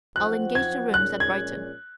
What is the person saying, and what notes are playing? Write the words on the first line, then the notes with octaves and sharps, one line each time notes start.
I'll engage the rooms at Brighton.
F#2 F3 C4 F#4 F#6
G#6
A#1 A#2 G#3 C#4 F#6
G#6